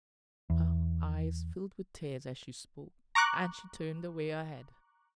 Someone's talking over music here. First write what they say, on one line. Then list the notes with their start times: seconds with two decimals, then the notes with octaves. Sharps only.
Her eyes filled with tears as she spoke, and she turned away her head.
0.50 E2
3.15 A#5 C#6 D6 F#6